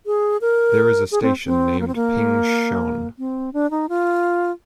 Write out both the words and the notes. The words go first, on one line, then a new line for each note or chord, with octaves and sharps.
There is a station named "Ping Shan".
G#4
A#4
G#4
C4
C4
A#3
C4
A#3
C4
D4
D#4
F4